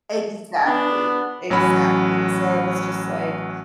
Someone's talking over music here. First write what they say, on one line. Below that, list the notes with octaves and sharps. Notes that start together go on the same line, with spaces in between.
exactly, exactly. So, I was just like
B3 D4
A1 F#3 C#4 B5